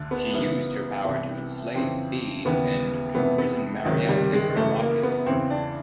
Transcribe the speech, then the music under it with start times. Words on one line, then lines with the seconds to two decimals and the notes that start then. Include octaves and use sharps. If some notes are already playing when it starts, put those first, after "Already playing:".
She used her power to enslave Bede and imprison Mariette in her locket.
Already playing: D2 D3
0.11 B3
0.34 F#2 C#3 E3
1.05 C2 C3 E3
1.75 F2 C#3 E3 C4
2.45 D#2 C#3 E3 B3
3.15 F2 C3 E3 B3
3.38 B3
3.85 C#2 C3 D#3 F#3
4.09 G3
4.33 G#3
4.55 F#2 C#3 E3 A3
4.79 A#3
5.03 B3
5.26 E2 C#3 E3 C4
5.50 D4